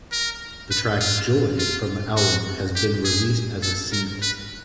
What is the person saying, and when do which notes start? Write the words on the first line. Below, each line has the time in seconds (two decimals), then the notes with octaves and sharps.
The track "Joy" from the album has been released as a single.
0.12 A#4
0.71 B4
1.00 F4
1.58 F4
2.17 F#4
2.75 G4
3.05 G#4
3.63 A4
3.92 A#4
4.22 B4